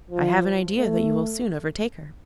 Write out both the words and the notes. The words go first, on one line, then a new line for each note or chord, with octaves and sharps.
'I have an idea that you will soon overtake her.'
F3
A3